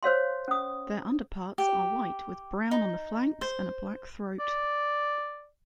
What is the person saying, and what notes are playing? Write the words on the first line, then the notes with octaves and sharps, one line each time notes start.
Their underparts are white with brown on the flanks and a black throat.
C5 C#5 F5 C6
C#4 D#6
G4
D#4
C5
D5